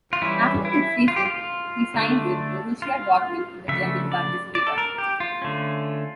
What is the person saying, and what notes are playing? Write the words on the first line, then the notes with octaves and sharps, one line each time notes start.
After that season, he signed with Borussia Dortmund in the German Bundesliga.
F4
E3 G3 C#4 E4
E4
F4
G4
F4
D3 A3 D4
F4
C#3 F3 A3 D4 E5
D5
D5
A4
A#4
G4
F4
D3 A3 C#4